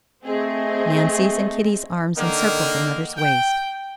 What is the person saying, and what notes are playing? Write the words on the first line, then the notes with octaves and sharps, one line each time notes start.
Nancy's and Kitty's arms encircled their mother's waist.
A3 C4 G#4 D#5
D3 D#3 A#3
G5